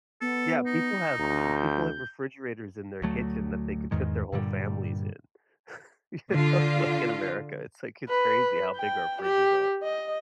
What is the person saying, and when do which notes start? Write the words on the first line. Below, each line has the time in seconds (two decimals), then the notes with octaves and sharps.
Yeah, people have uh uh, people have refrigerators in their kitchen that they could fit their whole families in, you know, like, in America, it's, like, it's crazy how big our fridges are.
0.21 B3 A4
0.66 D#4
1.19 D2 A#5
1.56 G6
3.02 D2 F#3 A3
3.91 E2 G#2 D#3 G#3
4.32 G2 A#2 D3 G3
6.31 D3 F4
8.09 B4
8.76 G5
9.22 G4
9.83 D#5